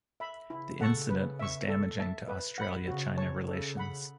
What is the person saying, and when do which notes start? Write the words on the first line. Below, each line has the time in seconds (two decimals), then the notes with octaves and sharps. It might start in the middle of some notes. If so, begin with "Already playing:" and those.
The incident was damaging to Australia–China relations.
0.20 E5 B5
0.50 C#3 E4
0.80 A4 F#5 A5 C#6
1.10 B4
1.39 E5 C#6
1.68 A4
1.99 E5 A5
2.28 B4
2.58 F#5 B5
2.87 C#3 F#4
3.17 C#5 A5 C#6
3.47 C#3 A4
3.77 F#5 B5